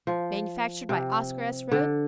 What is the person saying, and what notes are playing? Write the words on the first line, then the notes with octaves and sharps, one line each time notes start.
Manufactured by OSCAR S. RHOADS.
F3
C3
D3